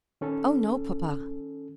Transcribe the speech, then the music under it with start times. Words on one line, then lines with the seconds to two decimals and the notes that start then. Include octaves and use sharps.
"Oh no, papa."
0.21 D#3 C#4 A4